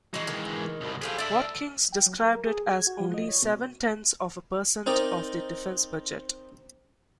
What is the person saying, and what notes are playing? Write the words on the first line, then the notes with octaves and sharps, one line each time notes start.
Watkins described it as only seven-tenths of a percent of the defense budget.
E3 G#3 D#4 F#4
D#3
C2 B2
A2 F3 G4 G#4 F5
D4 E4 D5 E5
G5
F#3
A#4
A#4
G#4
G#6
F#4
F3
D#5
C#5
B2
C4 D#4 A#4 D5 D#5 A#5